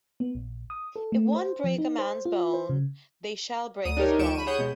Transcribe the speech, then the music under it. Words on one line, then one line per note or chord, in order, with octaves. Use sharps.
If one break a man's bone, they shall break his bone.
B3
A#1
D#6
A4
A3
C5
F3
D#4
C5
F4
C5
C#3
D2 D#6 D#7
D4 D#4 G4 A#4 C#5
D2 F3 G4 C#6 D7 E7
B5 D#7
G#4 C#5 F#5 D#6 G6
B2 G#3